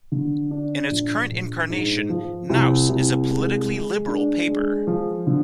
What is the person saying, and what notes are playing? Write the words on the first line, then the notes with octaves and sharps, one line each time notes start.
In its current incarnation, "Nouse" is a politically liberal paper.
D3
D4
A#1
A#1
G#2
F3
C2
C2
G#3
G#3
D4
G#3
F3
D3